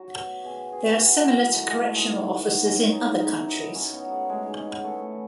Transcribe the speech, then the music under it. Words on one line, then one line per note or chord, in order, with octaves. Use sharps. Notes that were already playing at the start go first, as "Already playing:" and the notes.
They are similar to correctional officers in other countries.
Already playing: F#3 F#4
B2
B2 G#4
B2 G#4
E4
E3 F#4
E3 B3
E3 A3
G#3
G#2 A3
G#3
E3 A3
G#2 B3
E3 C#4
G#2 D#4
E4
D#3 D#4
E4
F#2 D#4
D#4
F#2 C#4
B3
F#3
A3
G#2 G#3
G#3
E3 C#4
B3
E3 A3
E3